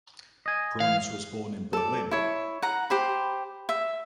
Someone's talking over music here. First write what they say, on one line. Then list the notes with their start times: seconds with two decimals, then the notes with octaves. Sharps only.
Bruns was born in Berlin.
0.46 D#5 G#5
0.80 E3 F5
1.73 A4 D5
2.11 E4 C#5
2.62 F#5 A#5
2.90 G4 C5 B5
3.69 E5